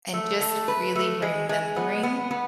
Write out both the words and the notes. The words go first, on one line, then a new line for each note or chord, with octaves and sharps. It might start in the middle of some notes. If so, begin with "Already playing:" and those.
and just really remembering
A3
A3
B4
A3
G#3
G#3
B3
B3
B3